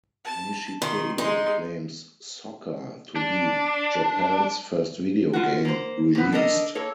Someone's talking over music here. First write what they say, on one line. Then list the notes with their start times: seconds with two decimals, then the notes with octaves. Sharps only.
Nishikado claims "Soccer" to be "Japan's first video game" released.
0.24 A5
0.82 D#3 C6
1.18 G#3 D#4 C6
3.16 D4
5.33 F4 F#4
5.65 A#3 C5
6.15 C3 B3
6.32 D4 A4 A#4 D#5
6.75 A#3 A4 C#5